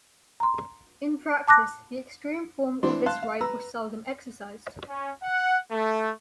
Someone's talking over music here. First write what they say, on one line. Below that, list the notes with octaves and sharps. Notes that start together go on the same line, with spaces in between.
In practice, the extreme form of this right was seldom exercised.
A#5 C6
A5 D6 F#6 A#6
E3 C4 D4 C6
F5 A5 C6 F#6
F5
B4 A#5 E6
C#4
F#5
A3